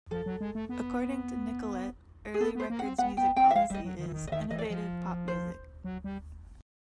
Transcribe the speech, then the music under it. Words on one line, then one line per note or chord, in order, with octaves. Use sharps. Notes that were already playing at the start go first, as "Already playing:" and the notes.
According to Nicolette, Early Records' music policy is: innovative pop music.
F3 A4
F#3
G#3
A3
B3
G#4
B3 A4
B3 C5
A#3
F#5
C4
B3 F#5
B3 G5
C4 G5
E5
G#3 F5
G3 D#5 E5
F#3
D#3
E3
D#3
D#5
D#3 E5
E3 D#5
D5
D#5
F3
C5
F#3
G3